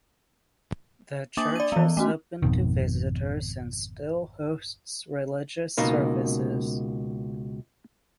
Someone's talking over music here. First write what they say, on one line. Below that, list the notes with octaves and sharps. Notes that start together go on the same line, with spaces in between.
The church is open to visitors and still hosts religious services.
A#3 D4 D6 D#6 A6 F#7
D5 D#7
E3 B3
A3 C#4 F#4
G#1 F2 B2 D#3
C#2 B2 A#3 D#4